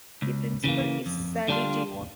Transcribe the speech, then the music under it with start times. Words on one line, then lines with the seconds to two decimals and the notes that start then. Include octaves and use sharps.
The Principal is Sali Devon.
0.22 C#2
0.64 C#3 E3 A#3
1.06 F2
1.48 D3 G3 D4 F4